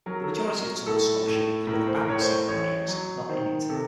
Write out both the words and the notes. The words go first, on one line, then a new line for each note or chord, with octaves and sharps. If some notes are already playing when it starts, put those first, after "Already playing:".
The majority of Tucker's scholarship has been about psychometrics, not in it.
F#3 A#4
A4
A#4
F#3
A#4
A2 A4
A2
A2 A#4
C5
A#4
A2 C#5
C5
A1 C#5
F#3
D#3 C5
C3 A4